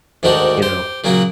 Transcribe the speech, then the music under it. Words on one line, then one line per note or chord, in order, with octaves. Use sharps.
You know,
D2 G#2 D#3 D4 F#4 G4
G4 C5
A#2 C#3 F#3 A#3 F#4